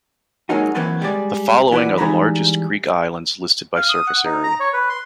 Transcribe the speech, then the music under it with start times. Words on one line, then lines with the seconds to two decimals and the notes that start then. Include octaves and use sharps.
The following are the largest Greek islands listed by surface area.
0.49 F#3 G#3 A#3 C#4 D#4 F#4
0.75 E3 F#3 A#3 C4 A4 B4
1.02 G3 G#3 D5
1.71 E2 E4 F#4 B4 D5
1.98 E3 G3 G#3 D#4 A#5 B5
3.76 F5
3.89 D#6
4.07 F#5
4.25 D#4
4.43 A#5
4.60 C#5
4.73 B4
4.89 C6